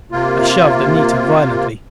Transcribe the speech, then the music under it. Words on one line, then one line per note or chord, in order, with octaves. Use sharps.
I shoved Anita violently.
C3 A#3 F4